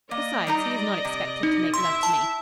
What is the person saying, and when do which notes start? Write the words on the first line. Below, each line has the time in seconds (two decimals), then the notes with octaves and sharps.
Besides, he is not expected to make love to me.
0.11 A#3 D5 D#5
0.47 G3 D#4 A#5
1.05 C3
1.43 D#4
1.74 E4 E5 C6
2.03 A5